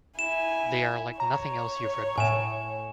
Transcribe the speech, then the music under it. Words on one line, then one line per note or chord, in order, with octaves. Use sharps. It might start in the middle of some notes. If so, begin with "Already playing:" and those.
They are like nothing else you've read before.
E4 G#5 E7
C#5 A#5
A2 G#5 E7